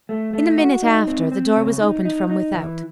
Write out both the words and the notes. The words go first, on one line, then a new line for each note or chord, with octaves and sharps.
In a minute after, the door was opened from without.
A3
A3
F#4
D#4
C4
C4
C#3
D#4
D#4
D#4
E3